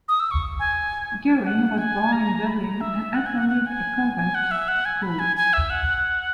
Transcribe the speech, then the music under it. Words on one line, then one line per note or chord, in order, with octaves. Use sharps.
Guerin was born in Dublin and attended a convent school.
D#6
E6
C#6
G#5
F#5
G#5
A#5
B5
A#5
E5
F#5
G#5
F#5
F#5
G#5
G#5
F#5
E5
F#5
G#5
B5
G#5
G#5
E5
F#5